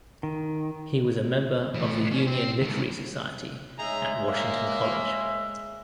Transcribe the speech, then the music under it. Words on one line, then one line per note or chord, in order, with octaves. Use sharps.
He was a member of the Union Literary Society at Washington College.
D#3
E3 A3
C#4 D4
C4
D#3 G#3
G#3 D#4 G#4 C#5 E5 A#5
A#3